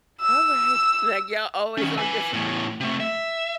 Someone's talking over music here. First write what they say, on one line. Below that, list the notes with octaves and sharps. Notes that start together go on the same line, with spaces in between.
"All right," like, y'all always on different
E6
D#3 C#4
B4 G#5
E2 A2
C3 A3
E5